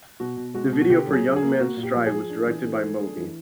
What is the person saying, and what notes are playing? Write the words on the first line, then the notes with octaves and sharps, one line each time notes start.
The video for "Young Man's Stride" was directed by Moby.
B2 F#4
B2
G#3 F#4
B2
F#4
D3 G4
F#3
G#4
F#3
G#4
A#3
A#3 F#4
A#2
G4
F3
G#4
F3
D4
E3
A3
A3
D4
E3